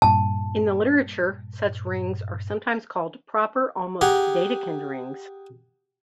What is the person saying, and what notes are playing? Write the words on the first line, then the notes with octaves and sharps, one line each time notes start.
In the literature such rings are sometimes called proper almost Dedekind rings.
G2 A#2 A5
G4 G#4 F#5 A#5